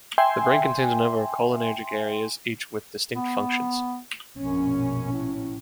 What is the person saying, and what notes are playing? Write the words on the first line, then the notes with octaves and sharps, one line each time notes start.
The brain contains a number of cholinergic areas, each with distinct functions.
E5 G5 G#5 C6
B3
A#1 F#2 B2 C#4
A2